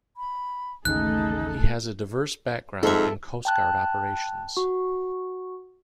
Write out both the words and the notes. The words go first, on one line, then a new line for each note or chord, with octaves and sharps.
He has a diverse background in Coast Guard operations.
B5
A1 D#2 C#3 A3 D#4 G#4 A4 F#6
F2 G#2 A4 E5
G5 A5 F#6
F#4